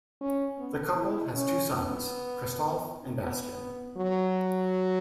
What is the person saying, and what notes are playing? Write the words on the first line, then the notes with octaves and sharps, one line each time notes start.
The couple has two sons, Christoph and Bastian.
C#4
B3
E4
C#4
B3
B3
F#3